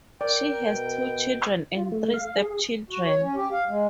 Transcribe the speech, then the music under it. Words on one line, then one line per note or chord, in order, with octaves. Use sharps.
She has two children and three stepchildren.
A#4 D5 G5
B2
F4
A3
F5
G#4
F#4
C#5
C#4
G4
F5
G#3